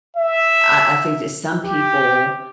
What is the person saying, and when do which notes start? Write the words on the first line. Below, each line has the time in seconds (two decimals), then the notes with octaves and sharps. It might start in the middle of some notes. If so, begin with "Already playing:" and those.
I I think that some people
0.17 E5
1.64 G4